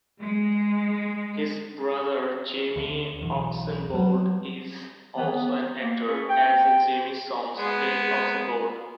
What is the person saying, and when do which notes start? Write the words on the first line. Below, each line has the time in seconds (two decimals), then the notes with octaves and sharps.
His brother Jamie Oxenbould is also an actor, as is Jamie's son, Ed Oxenbould.
0.20 G#3
2.76 D2
3.21 B1 E2
3.94 F#3 G3
5.17 D#3 E3 G3 B3
5.29 B3
5.82 A#3
6.08 A#3 C#4 G#4 A4 B4 C#6
6.29 G5
7.55 G#3 B3